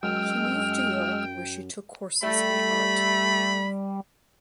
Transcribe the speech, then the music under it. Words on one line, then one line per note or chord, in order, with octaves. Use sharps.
She moved to Europe where she took courses in art.
F#2 G#3 G5 E6 F6
G3 A3 B5